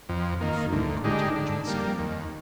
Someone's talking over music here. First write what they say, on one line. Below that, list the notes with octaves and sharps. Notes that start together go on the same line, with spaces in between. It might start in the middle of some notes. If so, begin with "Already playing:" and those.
Elfrida caught Edred's hand.
F2
D#3 A#3
D2
D3 G#3 D#4 G4
D3
G3 A#3
D#2